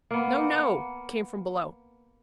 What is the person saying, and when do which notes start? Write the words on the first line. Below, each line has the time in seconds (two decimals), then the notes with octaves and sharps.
"No, no!" came from below.
0.11 A#3 B3